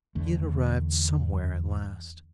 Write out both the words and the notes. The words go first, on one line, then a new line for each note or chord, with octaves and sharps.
He had arrived somewhere at last.
E2 D3 A3